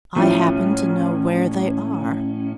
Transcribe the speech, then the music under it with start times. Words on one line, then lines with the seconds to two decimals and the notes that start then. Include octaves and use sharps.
"I happen to know where they are."
0.16 A2 F3 C#4 E4